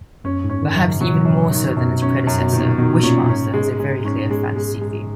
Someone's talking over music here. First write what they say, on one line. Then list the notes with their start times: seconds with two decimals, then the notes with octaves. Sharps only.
Perhaps even more so than its predecessor, "Wishmaster" has a very clear fantasy theme.
0.24 F#2 C#4
0.44 G#2
0.50 C#4
0.63 D#3
0.75 F#2
0.81 C#3
1.00 B2 F#3
1.25 F#2
1.51 D#3
1.77 F#2 B2
2.02 C#4
2.27 F#2
2.40 B2
2.52 A#2 D#3
2.78 B2 D#3
3.03 A#2 C#4
3.28 G#2 C#4
3.54 G#3
3.79 G#3
4.04 G#2 C#4
4.30 G#3
4.56 G#3
4.81 G#3